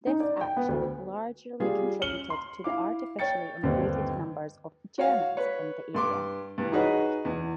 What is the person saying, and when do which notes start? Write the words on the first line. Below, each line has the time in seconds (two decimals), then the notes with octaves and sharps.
This action largerly contributed to the artificially inflated numbers of "Germans" in the area.
0.07 D#4
0.20 D5
0.41 G5
0.57 B3
0.68 D2
1.60 G3 F4 G4 G#4
2.02 C#4 F6 C#7 F#7 G7
2.30 C6
2.64 E4 F5 D6
3.19 C#5 G5 A6 C#7
3.63 G1 D#2 D3 C4
4.98 F#4 C#5 F5
5.37 B4 C#5
5.95 G2 C6 D6
6.58 G2 E3
6.72 D#4 F#4 G#4 B4 C#5 D#5
7.25 E2